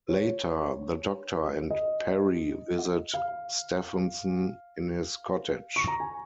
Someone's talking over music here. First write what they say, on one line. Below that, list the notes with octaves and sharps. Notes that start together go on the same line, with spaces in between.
Later, the Doctor and Peri visit Stephenson in his cottage.
C#5
D#5
F5
C#6
A#5
G#5